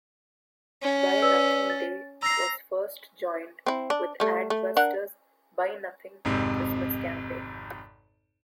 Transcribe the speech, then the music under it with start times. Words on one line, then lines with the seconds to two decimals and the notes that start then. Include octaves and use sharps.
Buy Nothing Day was first joined with Adbuster's Buy Nothing Christmas campaign.
0.83 C#4
1.22 B4 D5 E6
1.70 A6
2.22 A#5 E6 A#6 C7
3.66 C4 E4
3.90 D4
4.20 G3 A3
4.50 A3
4.77 D4 A#4 F#5
6.25 G#1 F2 G#2 C3